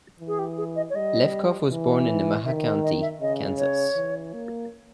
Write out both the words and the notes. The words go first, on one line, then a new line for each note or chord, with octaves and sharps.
Lefkow was born in Nemaha County, Kansas.
E3
G#4
G4
G#4
D#5
C#5
G3 D#5
E3
D#3 E5
D#5
D#5
E5
C#3 D#5
C#5
E3
A#3